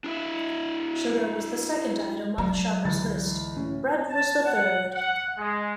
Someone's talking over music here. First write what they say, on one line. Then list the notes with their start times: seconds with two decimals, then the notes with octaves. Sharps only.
Sugar was the second item on the shopper’s list; bread was the third.
0.04 D4 E4 E5
2.38 F#3 D4 A#5
2.85 C#2 D3 E3 A6
3.56 A2 C#4
4.09 A5
4.45 F#5
4.92 F#5
5.38 G#3